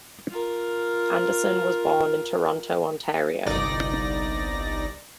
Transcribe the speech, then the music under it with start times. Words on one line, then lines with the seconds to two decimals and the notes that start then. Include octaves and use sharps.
Anderson was born in Toronto, Ontario.
0.30 F4 A#4
3.46 G1 C2 D#4 D5 A#6